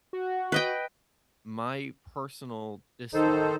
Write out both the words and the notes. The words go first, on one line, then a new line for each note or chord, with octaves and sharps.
My personal dislike
F#4
B4 D#5 G5
D#3 D#4 A4 C5